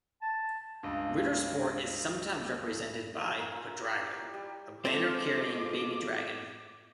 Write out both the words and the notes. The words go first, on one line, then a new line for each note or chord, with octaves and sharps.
Ritter Sport is sometimes represented by "Quadrago", a banner-carrying baby dragon.
A5
C#2 G2
A#4 F5 G#5
E4 F4
G4 D6
G3
G#3 C4 F4 G#4 A4 C5 D#5 D6